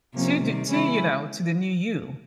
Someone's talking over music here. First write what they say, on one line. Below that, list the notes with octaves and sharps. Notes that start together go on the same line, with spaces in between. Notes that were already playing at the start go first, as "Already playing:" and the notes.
To do to, you know, to the new you
C3 F3 A#3 C#4
C3 D#3 G3 C4
C#3 E3 G#3 C#4 E4